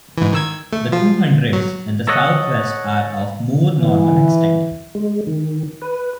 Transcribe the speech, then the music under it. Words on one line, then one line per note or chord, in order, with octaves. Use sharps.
The two hundreds in the south-west are of more normal extent.
G#2 E3
D#3 E6 G#6
A3
F3 F4
F#3
A4 C#5 D#5 F#5
E3
G#3
D#3
B4